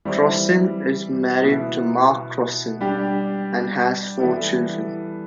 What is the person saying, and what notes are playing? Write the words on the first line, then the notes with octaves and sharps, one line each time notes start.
Crossin is married to Mark Crossin, and has four children.
E3 G3 C4 E4
B2 B3 E4
G3 D4 G4
E3 G3 B3 E4 A4